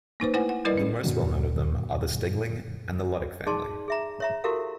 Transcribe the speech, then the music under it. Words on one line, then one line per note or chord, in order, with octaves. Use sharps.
The most well known of them are the Stegling and the Ludick family.
A#3 D#4 B4 C5
A3 E4 B4 C5 F#5 G#5
F#5
G3 E4 A#4 B4 D5 D#5
C#4
F#2 A#2 D3 F#3
D#4 G#4 D5 A5 C6
G#4 E5 A#5
C#5 E5 A#5
E4 F#4 G4 A4 A#4 F5